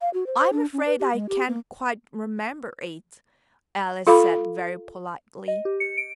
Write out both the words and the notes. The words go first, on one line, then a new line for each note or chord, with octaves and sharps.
'I'm afraid I can't quite remember it,' Alice said very politely.
F5
F#4
C5
C5
D4
C#4
B4
G4
G#3
G4
A#3
F4 A4 F5 B5 D6
D#5
G4
C#7
D7